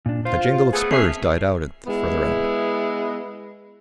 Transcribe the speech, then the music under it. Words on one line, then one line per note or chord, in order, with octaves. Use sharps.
A jingle of spurs died out at the further end.
A#2 D4
F4 C5
A3 B3 G#4
C4 C#4 G#4 A4 E5 C7
G#3 B3 E4